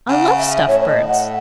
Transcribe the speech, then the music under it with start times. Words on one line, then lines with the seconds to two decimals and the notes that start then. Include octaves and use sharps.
"I love stuffed birds."
0.08 C#3 F#5
0.38 E5
0.46 F#5
0.53 E5
0.68 A2 C#5
0.80 C#5
0.87 D#5
1.08 F#5